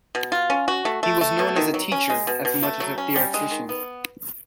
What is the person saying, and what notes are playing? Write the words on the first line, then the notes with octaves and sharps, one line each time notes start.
He was known as a teacher as much as a theoretician.
B2
F4
C#4
F#4
A3
A3
A3
B2
D#3
F#3
C#4
G#3
B2
B2
A3
F#3
C#4
G3
G#3
D#3
B3